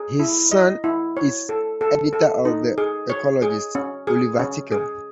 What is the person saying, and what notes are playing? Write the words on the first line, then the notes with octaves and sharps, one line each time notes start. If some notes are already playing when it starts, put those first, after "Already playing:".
His son is editor of the Ecologist, Oliver Tickell.
Already playing: G#4
E4
D#5
E4
C#5
A4
A4
A4
D#4
G#4
C#5
G#4
C#4
G#4
C#4
G#4